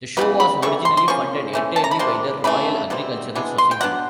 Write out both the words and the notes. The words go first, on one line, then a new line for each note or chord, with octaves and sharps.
The show was originally funded entirely by the Royal Agricultural Society.
C#3 E3 G3 B3 B5
B5
C3 E3 A3 C#6
C6
C6
F3 A#3 C#4 C#6
E3 A3 C#4
A5
A#5
B5
C3 F3 A#3 D4 C6
C#3 E3 A3 B5
B2 G3 C4
E3 G#3 B3 D4
C6
G5
F#3 B3 D4 F#5